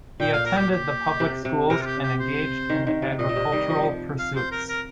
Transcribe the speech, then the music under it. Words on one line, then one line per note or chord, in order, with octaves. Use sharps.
He attended the public schools and engaged in agricultural pursuits.
A#2 G5
F5
A#4
G4
G4
C3
C3
C3 A#4
F4
G4
G4
C5
D#3
D#3
C3
A#2 D#5
A#2
C3
D#3 G3
F3
G3
F3
F5
C5
A#4
A#4